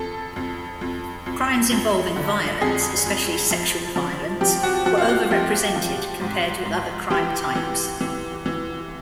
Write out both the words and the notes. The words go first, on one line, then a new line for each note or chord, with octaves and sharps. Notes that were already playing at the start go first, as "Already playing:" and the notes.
Crimes involving violence, especially sexual violence, were overrepresented compared with other crime types.
Already playing: F2 A4
F2
F2
F2
F2
D3
F2 G#4
F2
F3
F3
F3 G4
F#4
F3 F#4
F4
F#4
F3 G4
F3
G#2
G#2
E3 G4
E3
E3
E3